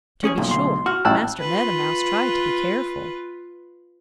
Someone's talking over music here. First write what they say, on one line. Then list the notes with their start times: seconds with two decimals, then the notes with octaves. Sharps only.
To be sure, Master Meadow Mouse tried to be careful.
0.24 C#4 G#4 C#5
0.37 B1 F#2 A#2
0.51 D2 C6
0.86 F#4 F6
1.05 A1 E4 G5 A5 E6 F#6
1.39 F4 B4